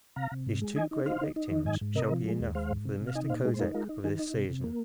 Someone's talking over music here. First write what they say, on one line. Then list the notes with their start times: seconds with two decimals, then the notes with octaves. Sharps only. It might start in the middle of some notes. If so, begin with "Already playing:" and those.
These two great victims shall be enough for the Mista Kosek of this season.
0.16 C3 F5 A#5
0.31 C3
0.46 G#2
0.62 G#3
0.76 D#4 D#5 G#5
0.91 D#4
1.05 D#4 C5 F5
1.21 D#4
1.36 D#4
1.50 D#3
1.65 G#2 D#5 G#5
1.81 G#2
1.95 C3 A#4 D#5
2.11 F3
2.25 G#3
2.40 D#2
2.55 G#3 C5 F5
2.71 G#2
2.85 C3
3.00 C3
3.07 F5
3.15 D#4 D#5 G#5
3.29 A#2 C5 F5
3.45 G#3 D#4 G#4
3.54 C5
3.59 D#4 F4 A#4
3.74 G#3 F4 A#4
3.89 D#4
4.04 D#3 D#4 G#4
4.19 D#4
4.34 C3
4.50 C3
4.64 A#3